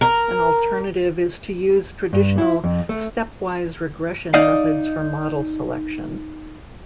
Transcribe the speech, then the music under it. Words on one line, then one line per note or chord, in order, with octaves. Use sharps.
An alternative is to use traditional Stepwise regression methods for model selection.
A#4
G2
E4
F2
A3
D#4 D5 D#5 F5